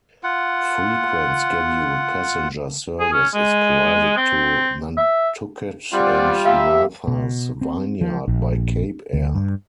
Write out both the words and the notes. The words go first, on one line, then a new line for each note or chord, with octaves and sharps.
Frequent scheduled passenger service is provided to Nantucket and Martha's Vineyard by Cape Air.
F4 F#5
G#4
C#4
G#3
C4
E5
G3 C4 F4 D5 F#5
A#3 B3 G4 E5 F5
B2
C4
F3
A#1
D2
G2